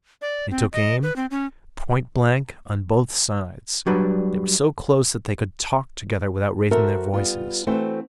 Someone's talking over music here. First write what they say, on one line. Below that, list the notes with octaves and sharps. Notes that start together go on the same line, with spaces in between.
They took aim, point blank, on both sides: they were so close that they could talk together without raising their voices.
D5
C4
D#5
B4
C4
C#4
F#3 G3 D4 F#4 B4
F#4 A4 A#4 C5 E5
G3 B3 F4
E3 A3 C4 F#4 B4 C5